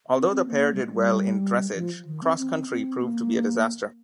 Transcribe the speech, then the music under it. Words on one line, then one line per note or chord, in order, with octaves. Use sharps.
Although the pair did well in dressage, cross country proved to be a disaster.
C4
C4
A#3
G3
G#3
G3
F3
D#3
C4
C4
C4
A#3